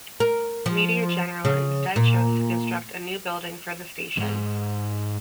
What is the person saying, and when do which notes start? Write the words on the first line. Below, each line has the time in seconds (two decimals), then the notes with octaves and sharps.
Media General instead chose to construct a new building for the stations.
0.20 A#4
0.66 F3
1.45 C#3
1.96 A#2
4.17 F2 G#2